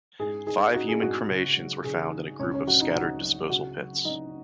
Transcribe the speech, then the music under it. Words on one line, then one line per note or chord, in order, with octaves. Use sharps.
Five human cremations were found in a group of scattered disposal pits.
G#2 G#4
D#4 G#4
D#4 F#4
G#4
G#2 F#4
C#3
F#3
C#3 G#4
D#4
C#2 C#4 C#5
C#4 C#5
F#3 F#4 F#5
D#4 D#5
C#2 F#4 F#5
F#3
C#3 F#4 F#5
F#3
F#3 D#4 D#5